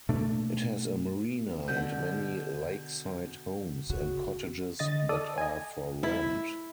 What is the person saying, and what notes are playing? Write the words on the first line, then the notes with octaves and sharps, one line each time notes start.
It has a marina and many lakeside homes and cottages that are for rent.
B2 A3 A#3 D4
B2 D3 B4 G6
C#3 F#4
D3 D#5 A6
A4 D5 D#6
D#5 G#5
E4